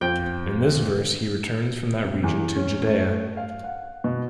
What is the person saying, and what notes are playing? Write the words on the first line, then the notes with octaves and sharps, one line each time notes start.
In this verse he returns from that region to Judea.
F2 G5
C3
E2
C#4
A3
F5
F#5
B2